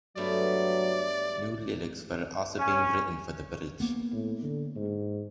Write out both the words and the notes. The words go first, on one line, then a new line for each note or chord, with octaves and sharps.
New lyrics were also written for the bridge.
G2 F#3 A3 B3 D5
C#4
A#3 B3
A2
D3
G#2